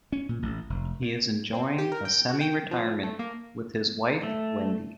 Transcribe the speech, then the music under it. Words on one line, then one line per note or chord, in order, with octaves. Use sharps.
He is enjoying a semi-retirement with his wife, Wendi.
C#4
A#2
A1
F1
A#2
C4
G4
A#4
G5
F#4
G5
F3
A3
A#3
A3